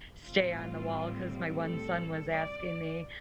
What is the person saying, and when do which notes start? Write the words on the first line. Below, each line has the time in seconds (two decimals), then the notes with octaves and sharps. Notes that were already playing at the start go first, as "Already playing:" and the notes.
stay on the wall 'cause my one son was asking me,
0.23 A2 G3 C4 F4
1.62 A4
2.32 D5